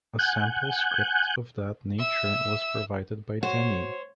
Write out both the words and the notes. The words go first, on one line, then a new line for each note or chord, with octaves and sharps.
A sample script of that nature was provided by Denny.
F#5 G#5 F#6 G6
E5 E6
F#4 C5 C#5